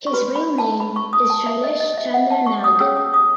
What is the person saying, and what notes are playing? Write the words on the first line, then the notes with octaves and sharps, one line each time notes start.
His real name is Shailesh Chandra Nag.
C#6
F#4 B4 B5
B5
A5
B5
C#6
D#6
A5
E5
D#5
D#5
E5
F#5
A5
C#6
D#6
C#4 G#4 C#5 E6
D#6
D#6